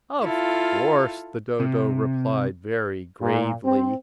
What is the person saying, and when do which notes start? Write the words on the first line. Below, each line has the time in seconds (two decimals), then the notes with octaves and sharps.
'Of course,' the Dodo replied very gravely.
0.23 E4 F4 A4 F5
1.60 C3
3.22 A#2
3.65 C4